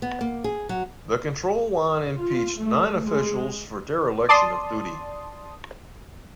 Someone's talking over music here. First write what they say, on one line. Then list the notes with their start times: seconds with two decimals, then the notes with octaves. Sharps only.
The Control Yuan impeached nine officials for dereliction of duty.
0.02 B3
0.21 A#3
0.44 G#4
0.69 F#3
2.16 F4
2.60 A3
3.04 G#3
4.29 D5 A5 C6 D#6